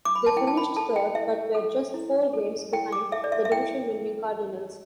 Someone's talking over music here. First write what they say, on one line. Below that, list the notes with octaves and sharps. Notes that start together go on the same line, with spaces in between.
They finished third, but were just four games behind the division-winning Cardinals.
D6
B5
A5
E4 G5
A5
B5
A4 A5
G5
E4 E5
A4
E4
A4
E4 G5
D6
A4 E5
D5
E5
E5
E4 G5